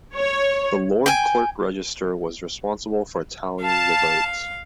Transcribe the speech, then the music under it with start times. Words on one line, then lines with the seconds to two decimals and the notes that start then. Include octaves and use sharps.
The Lord Clerk Register was responsible for tallying the votes.
0.16 C#5
1.06 G5 G#5
3.62 F5 A5